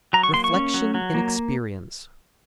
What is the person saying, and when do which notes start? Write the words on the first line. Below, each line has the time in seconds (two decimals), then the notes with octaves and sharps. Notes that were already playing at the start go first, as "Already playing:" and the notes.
Reflection in Experience.
0.13 F#3 A#5
0.23 C#6
0.34 A#3 C6
0.44 C#6
0.54 C#4
0.74 F#3
0.94 F#3
1.15 A#3